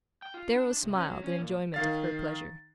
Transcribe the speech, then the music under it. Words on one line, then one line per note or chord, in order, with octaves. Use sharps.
Darrow smiled in enjoyment of her pleasure.
G5
F4
D4
C3
C#4
F#3
C#4
A#2
D#3 F5 A6